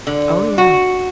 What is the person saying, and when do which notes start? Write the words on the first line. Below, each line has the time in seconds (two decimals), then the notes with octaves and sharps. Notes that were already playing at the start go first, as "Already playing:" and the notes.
Oh, yeah.
0.07 D3
0.58 F#4